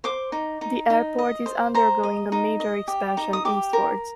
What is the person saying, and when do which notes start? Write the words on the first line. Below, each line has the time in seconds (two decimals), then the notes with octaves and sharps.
The airport is undergoing a major expansion eastwards.
0.04 C5 D6
0.32 D#4
0.61 D#4
0.90 D#4
1.19 D#5
1.46 C5
1.75 C5 A#5
2.03 D#5
2.32 D#4
2.60 D#5
2.88 G4
3.17 D#4
3.33 D#6
3.45 G4 D6
3.73 A#4